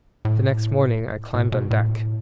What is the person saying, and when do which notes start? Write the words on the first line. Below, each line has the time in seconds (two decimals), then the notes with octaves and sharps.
The next morning I climbed on deck.
0.25 A2
1.34 A2
1.52 B2
1.70 A2